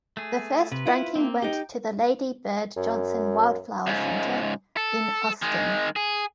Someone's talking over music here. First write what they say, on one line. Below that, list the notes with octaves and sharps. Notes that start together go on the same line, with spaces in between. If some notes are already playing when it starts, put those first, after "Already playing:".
The first ranking went to the Lady Bird Johnson Wildflower Center in Austin.
A3 G#4
C3 B4
E4 F4
A#3 C4
D#4 G4 G5
F#2
C#2 G#2
A4
D#3 G#3
G#4